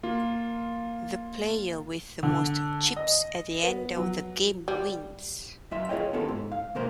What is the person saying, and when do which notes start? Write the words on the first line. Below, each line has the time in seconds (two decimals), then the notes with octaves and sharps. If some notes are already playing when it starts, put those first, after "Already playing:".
The player with the most chips at the end of the game wins.
0.03 A#3 F4
2.23 D3
2.96 D#5
3.63 B3
3.96 F#3
4.68 G3
5.71 F#2 F4 E5 C6
5.89 F4 G#4 C5 C#5 D#5 G5
6.13 B3 C#4 F4 G4 A4 B4
6.29 G#2
6.52 F5
6.75 C#2 B2 A#3 A#4 C5 F5